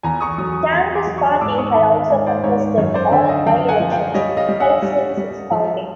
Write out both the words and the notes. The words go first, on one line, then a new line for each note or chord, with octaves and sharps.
The Cannabis Party has also contested all by-elections held since its founding.
E2 G#5 A#5
C#6 D#6
F#3 C#6 D#6
E2 A#5 C6
C6 D6
F#3
C#6 D#6
G#2 D6 E6
C#6 D#6
D#3 A5 B5
D#5 F5
G#2 C#5 D#5
C5 D5
G#2 C#5
C#5
F#2 C#5
C5 D5
D3 D5 E5
D#5 F5
F#2 F5 G5
F#5 G#5
F3
F5 G5
G3 C#5 D#5
D#5 F5
G3
E5 F#5
G3
G3
F3